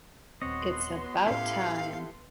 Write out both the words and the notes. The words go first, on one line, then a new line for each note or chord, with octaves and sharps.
It's About Time.
D#1 B3 C4 F#4 C#5 D#5 C6
A2 C#4 E4 G4 A4 F5